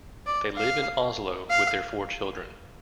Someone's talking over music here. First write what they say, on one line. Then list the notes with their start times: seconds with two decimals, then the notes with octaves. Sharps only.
They live in Oslo with their four children.
0.26 D5
0.56 F5
1.50 F5